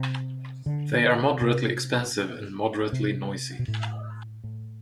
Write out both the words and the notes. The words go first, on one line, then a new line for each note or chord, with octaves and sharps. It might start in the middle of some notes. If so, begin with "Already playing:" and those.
They are moderately expensive and moderately noisy.
Already playing: C3
D3
C3
C3
B2
A2
A2